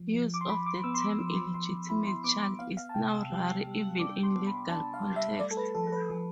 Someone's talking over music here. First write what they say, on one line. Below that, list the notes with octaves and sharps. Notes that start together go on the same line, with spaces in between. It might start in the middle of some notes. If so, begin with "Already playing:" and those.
Use of the term "illegitimate child" is now rare, even in legal contexts.
Already playing: F3
F3
D6
C6
F3 B5
D6
B3 E6
C6
D6
F3 E6
F3 C6
E4 B5
C6
B3 D6
D6
B3 F5
F5
A5
C3 G5
E6
G3
G3
D4 D6
C6
B3
B5
D4 A5
F5
G3
E5
A3 D5
A4
B4
F3 A4
A4
B4
F3